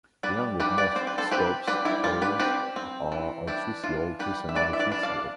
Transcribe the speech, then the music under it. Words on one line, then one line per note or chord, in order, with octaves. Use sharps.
The young of most scops owls are altricial to semialtricial.
G3 B4 D5
G3 G4 B4
B4 D5
C4 C5
B4
A4 C5
C4 G4 B4
G3 G4 B4
E4 G4
G3 F4
G4 B4
C4 G4 B4
C4
E3
D4 E4 G4
E3 F4
G3 G4 B4
E5
E3 B4 D5
E5
B4 D5
D4
D5 F5